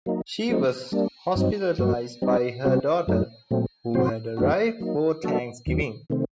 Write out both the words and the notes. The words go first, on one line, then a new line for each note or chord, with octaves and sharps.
She was hospitalized by her daughter, who had arrived for Thanksgiving.
F#3 A#3 D#4
F#3 A3 C4 D#4
G3 A#3 D4
G2 F#3 C4 D#4
G2 F#3 A#3 F#4
G3 C4 D#4
C3 G3 C4 F#4
F#2 F#3 A3 D#4
A#2 F#3 A3 C4
C3 F#3 C4 F#4 C5
F#2 D#3 A3 D4 F#4
F#3 A#3 D#4
F#3 A#3 D4 F#4 A4
D#2 D#3 F#3
C3 D#3 A3 C4